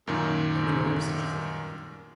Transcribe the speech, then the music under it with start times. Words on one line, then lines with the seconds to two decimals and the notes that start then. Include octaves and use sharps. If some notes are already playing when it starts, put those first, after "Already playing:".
I've never heard of such a thing.
0.07 F#2 A#2 D#3